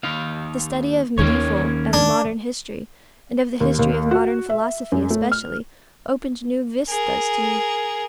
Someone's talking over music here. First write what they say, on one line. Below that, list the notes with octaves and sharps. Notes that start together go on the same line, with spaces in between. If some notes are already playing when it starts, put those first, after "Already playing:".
The study of mediaeval and modern history, and of the history of modern philosophy, especially, opened new vistas to me.
D#2 D#4 F5
D#2 D#3 A#3 C#4 C#5
D4
D#2
D#2
F#4
E5
F#2
A3
F6
G#4 A#4